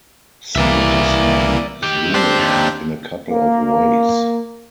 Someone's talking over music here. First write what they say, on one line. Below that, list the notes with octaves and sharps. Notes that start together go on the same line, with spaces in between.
Snettisham is unique in a couple of ways.
C2 E3 A#3 D5 E5
D#3 G4
C4 D4 F4 G4 C5
D#2
A#3